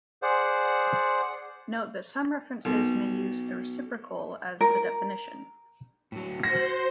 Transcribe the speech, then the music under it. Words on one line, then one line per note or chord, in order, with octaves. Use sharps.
Note that some references may use the reciprocal as the definition.
G#4 C5 D5 F#5
B1
A#4
A2 F#3
F#4 C5 A#6